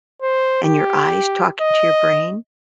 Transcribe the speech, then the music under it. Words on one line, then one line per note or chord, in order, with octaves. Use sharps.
and your eyes talking to your brain,
C5
G4
D#5